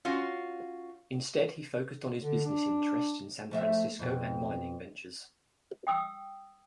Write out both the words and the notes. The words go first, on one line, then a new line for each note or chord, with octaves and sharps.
Instead, he focused on his business interests in San Francisco and mining ventures.
C#4 F4 F#4
D3
D4
F3 A3 E5
F2 B2
G5 D#6 E6